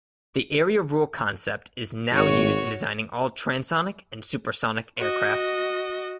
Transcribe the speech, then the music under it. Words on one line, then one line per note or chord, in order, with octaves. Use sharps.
The area rule concept is now used in designing all transonic and supersonic aircraft.
G#1 F#4 C#5
F#4 D#5